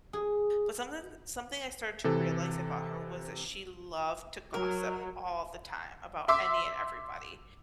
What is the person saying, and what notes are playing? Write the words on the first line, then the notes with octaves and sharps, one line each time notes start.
but something something I started to realize about her was that she loved to gossip all the time about any and everybody.
G#4
C3 E3 A4
F#3 A#4
E5 C6 D6 E6